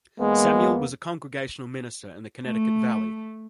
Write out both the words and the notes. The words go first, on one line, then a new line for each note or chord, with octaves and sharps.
Samuel was a Congregational minister in the Connecticut Valley.
E2 G#3 A#3 B3
A3